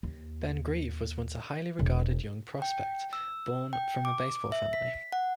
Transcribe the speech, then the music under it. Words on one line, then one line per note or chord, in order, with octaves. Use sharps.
Ben Grieve was once a highly regarded young prospect, born from a baseball family.
D#2
E1
G5
E6
G5
D6
E5
B6
F#5